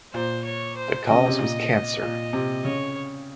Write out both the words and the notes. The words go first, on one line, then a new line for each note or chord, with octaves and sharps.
The cause was cancer.
A#2 C5
C#5
C5
C#3 D#5
C3
A#2 D#5
A#2
C3
C#3 C#5